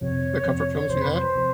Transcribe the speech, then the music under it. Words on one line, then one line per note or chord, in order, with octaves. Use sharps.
the comfort films we had.
F2 C3 F3 C#5
F2 C3 F3
F2 C3 F3 C5
B4
C5
C3 F3